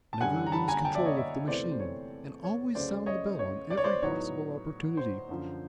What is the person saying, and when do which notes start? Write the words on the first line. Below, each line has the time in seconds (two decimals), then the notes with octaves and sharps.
Never lose control of the machine, and always sound the bell on every possible opportunity.
0.13 A5
0.20 F#2 D3 G3 F#5 G#5
0.47 A#5
0.52 A5 B5
0.68 G#5 A#5
0.85 G5 A5
0.95 D5 E5
1.05 C#5 D#5
1.16 D5 E5
1.47 E2 C3 E3 A3 C5 D5
1.72 C5
1.80 C#5
2.44 C#5
2.75 C#2 C#3 F#3 A3 C#4 C5 D5
3.06 C#5 D#5
3.39 C#5
3.70 D5
3.77 C#5
3.84 C5 D5
4.03 A2 F#3 B3 D#4 C#5
4.97 C5
5.29 F#2 D3 F3